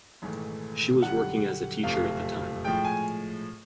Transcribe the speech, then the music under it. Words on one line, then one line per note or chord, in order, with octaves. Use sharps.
She was working as a teacher at the time.
G#1 G#2 E3 A3
F#2 D3 G3 F#5
F#1 F2 C3 F3 A3 F5
A2 F3 G#3 G5
G#5